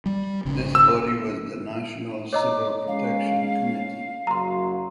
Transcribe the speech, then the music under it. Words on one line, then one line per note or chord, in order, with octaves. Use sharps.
This body was the National Civil Protection Committee.
G3
G#1 C#3
E6
C#5 D#5 A#5 D6
G#3 C#4 F5
F#1 F#3 A#5 C6